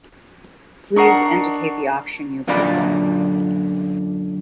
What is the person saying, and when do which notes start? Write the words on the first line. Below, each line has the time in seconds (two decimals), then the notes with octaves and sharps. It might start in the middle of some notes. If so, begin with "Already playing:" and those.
Please indicate the option you prefer.
0.96 D4 D#4 A#4 F#5 C#6 C7
2.47 F#2 A#2 D3 D#4 D5 B5